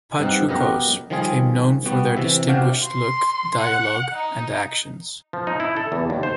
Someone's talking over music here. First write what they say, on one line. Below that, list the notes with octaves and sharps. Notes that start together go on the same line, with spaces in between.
Pachucos became known for their distinguished look, dialogue, and actions.
G2 C4 D#4 F#5
F#2 B3 G4 A#4 D#5 F#5
D#3 F3 G3 F4 G#4
G3 B3 F#4
C3 E3 E5
C3 D4 F#4 F5 G5
C6
F#5
D#4
F3
D#4
E4
A4
E2
D#2
C5